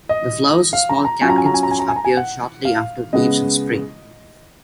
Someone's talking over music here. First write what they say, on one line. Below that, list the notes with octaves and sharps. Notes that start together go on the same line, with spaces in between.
The flowers are small catkins which appear shortly after the leaves in spring.
D#5
F5
A#5
A#5
F#3 C#4 F4 G#5
A#5
G#5
A#5
G#5
A#5
G#5
A#5
G#5
A#5
G#5
F#5
F5
C#3 G#3 B3 D#5